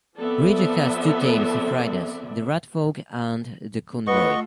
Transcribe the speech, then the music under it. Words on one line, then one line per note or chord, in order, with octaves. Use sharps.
Regia has two teams of riders: "The Radfolc" and "The Conroi".
F3 B3 C4 A4 D5 E5
A3 F4 A4 B4 D#5 F#5 C#6